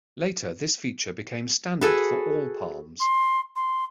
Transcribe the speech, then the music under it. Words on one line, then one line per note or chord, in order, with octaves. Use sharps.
Later this feature became standard for all Palms.
F#4 G#4 A4 B4
C6
C6